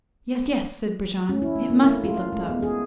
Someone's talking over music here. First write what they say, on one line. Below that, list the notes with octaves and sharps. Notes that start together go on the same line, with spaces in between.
"Yes, yes," said Brujon, "it must be looked up."
C#4
E4
A3
A#3
A3
F4
F5
G#3
B3
G#4